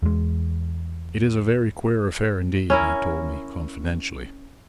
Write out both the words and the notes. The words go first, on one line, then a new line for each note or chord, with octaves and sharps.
"It is a very queer affair, indeed," he told me confidentially.
E2 G#3
C#4 E4 A#4